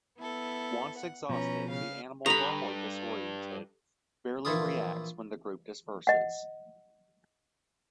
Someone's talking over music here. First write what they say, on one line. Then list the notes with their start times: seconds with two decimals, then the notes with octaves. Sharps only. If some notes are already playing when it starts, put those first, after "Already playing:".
Once exhausted, the animal, normally disoriented, barely reacts when the group disperses.
0.17 B3 E4 A4
0.98 F#5
1.29 B2 F3 C#4 B4 A#5
1.67 C#3 F5 F6
2.26 G2 G4 A4 A#5 B5 F7
4.45 A#1 E3 E4 F4 C6 D#6
6.07 D#5 F#5